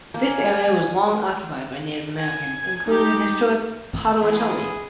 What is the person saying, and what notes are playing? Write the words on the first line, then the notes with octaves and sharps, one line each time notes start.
This area was long occupied by Native Americans, including the historic Potawatomi.
A#3 G#5
G#5
D#4 G4
E3 G#3 B3 G#4 B5 C6